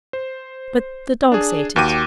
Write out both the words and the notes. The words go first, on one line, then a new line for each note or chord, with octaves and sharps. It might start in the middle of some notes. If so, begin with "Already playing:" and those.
But the dogs ate it.'
C5
D4 G#4
D#2 F#4 G5 D6 D#7